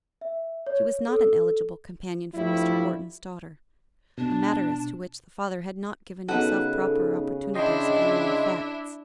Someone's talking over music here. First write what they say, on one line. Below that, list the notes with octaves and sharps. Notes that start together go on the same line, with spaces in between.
She was not an eligible companion for Mr. Wharton's daughter,--a matter as to which the father had not given himself proper opportunities of learning the facts.
E5
C#5
A4
G2 F3 G3 A3 E4 F4
B2 D4
C#3 B3 D#4 F#4 A4 B4
D4 E4 D#5 G5 C6